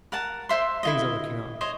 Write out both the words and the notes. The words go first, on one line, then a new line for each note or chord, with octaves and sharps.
Things are looking up.
A#4 F#5 A5
C5 E5 C6
E4 F4 D#5
C5 C#5 D#5